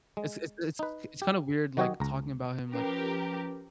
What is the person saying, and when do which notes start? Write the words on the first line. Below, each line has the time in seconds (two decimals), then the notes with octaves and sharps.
it's it's it's it's kind of weird like talking about him like
0.17 G#3
0.79 D#4 B4
1.22 G4
1.77 D#3 F#3 F#4 G4 C#5 D#5
2.00 C#2 A#5
2.73 F3 C#4 G4 A#4 B4